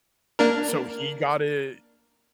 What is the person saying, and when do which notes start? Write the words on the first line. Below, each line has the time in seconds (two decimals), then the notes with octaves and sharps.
So, he got it
0.39 A#3 D4 A#4